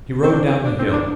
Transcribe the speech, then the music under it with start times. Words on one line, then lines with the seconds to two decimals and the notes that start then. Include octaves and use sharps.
He rode down the hill.
0.24 C4
0.34 D4
0.49 C4
0.64 D4
0.79 C4
0.93 D4